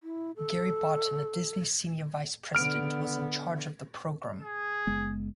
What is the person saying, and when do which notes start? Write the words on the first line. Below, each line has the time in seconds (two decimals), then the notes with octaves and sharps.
Gary Barton, a Disney senior vice president, was in charge of the program.
0.03 E4
0.36 A4
2.55 D3 B3 F6 D7
4.41 G#4
4.87 F#1 G#3 B3